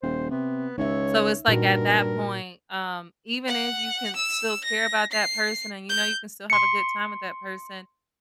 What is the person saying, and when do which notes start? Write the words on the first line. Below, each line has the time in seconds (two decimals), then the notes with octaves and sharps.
So it's like at that point, um, even if you can still care about that person and you know you can still have a good time with that person,
0.02 D#1 C5
0.31 C3 B3
0.78 C#2 D#4 C#5 E5
1.48 G2 A#2 D#4 F#4 A#4
3.48 F#5
4.16 E6
4.64 A#6
5.12 C7
5.89 G6
6.50 C6 C#7